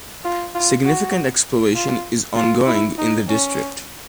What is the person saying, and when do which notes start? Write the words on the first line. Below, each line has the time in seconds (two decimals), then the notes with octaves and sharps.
Significant exploration is ongoing in the district.
0.24 F4
0.55 F4
0.85 F#4
1.75 F4
2.36 F4
2.66 E4
2.98 D#4
3.28 C#4